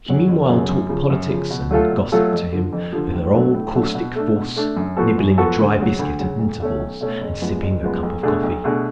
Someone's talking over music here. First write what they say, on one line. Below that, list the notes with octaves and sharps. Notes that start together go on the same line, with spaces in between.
She meanwhile talked politics and gossip to him, with her old, caustic force, nibbling a dry biscuit at intervals and sipping a cup of coffee.
F#2 C#3 F#3 C#4
F#1
F#2 C#3 F#3 C#4
F#2
C#3 F3
F#2
C#3 F3
B2
F#3 A3 F4 A4
B2
F#3 A3 F4 A4
F2
D3 F3
F2
D3 F3
A2
F#3 A3 D4
A2
F#3 A3 D4
B2
A3 D4
B2
A3 D4
F#2
F3 B3 F#4 A4
F#2
F3 B3 F#4 A4
D2
C#3 F#3
D2
C#3 F#3
B1
B2 A3 C#4
B1
B2 A3 C#4
F#1
F#2 F3 G#3 B3
F#1
F#2 F3 G#3 B3
B1
B2 A3 D4 G#4
B1
B2 A3 D4 G#4